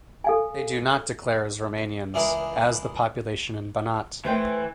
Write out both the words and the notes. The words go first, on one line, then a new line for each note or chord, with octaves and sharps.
They do not declare as Romanians, as the population in Banat.
A4 F5 G#5
C#2 E3 D4 E4 G#4 A#4
E3 A3 C5 G5